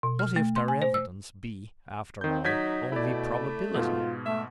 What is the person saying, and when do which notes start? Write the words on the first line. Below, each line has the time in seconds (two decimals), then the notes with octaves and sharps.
What if their evidence be, after all, only probability?
0.03 B2
0.19 F6
0.36 A3
0.56 C6
0.68 G#5
0.82 C5
0.94 E6
2.21 D#3 C4 G6
2.45 F#3 D#4 G6 G#6 B6
2.92 B2 A3 E4 D5
3.75 G#2 B2 F4
4.26 A3 E5